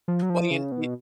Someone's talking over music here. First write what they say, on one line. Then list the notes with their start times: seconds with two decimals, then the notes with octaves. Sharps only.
Well, you in i
0.08 F3
0.22 F#3
0.30 F3
0.51 C#3
0.72 B2